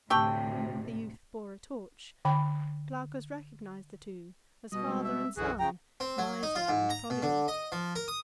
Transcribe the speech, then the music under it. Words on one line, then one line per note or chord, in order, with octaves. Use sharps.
The youth bore a torch. Glaucus recognized the two as father and son--miser and prodigal.
D2 A2 C3 G4 G5 A5 C#6 E6
D3 G5 B5
B2 G3 D#5
G3 G#3 C4
E5
B1 F#2 D3 E3 F#4 G#4
C#3 G5 A#5
C4
F#3
D#4
F4
G#2
A#5
B2
D3
D#5
F3
A#4
D#6